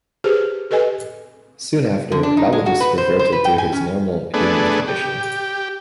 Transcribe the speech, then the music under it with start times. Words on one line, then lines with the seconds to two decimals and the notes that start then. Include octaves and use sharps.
Soon after, Validus reverted to his normal, human condition.
0.24 G4 G#4 B4 C5
0.71 G4 A4 B4 D#5 G#5
2.12 D3
2.23 D4
2.37 D#4
2.53 G#3
2.66 F#4
2.80 B4
2.98 C5
3.19 C5
3.32 B4
3.45 G5
3.58 G#5
3.73 C#4
4.34 A3 B3 D4 G#4
4.88 G4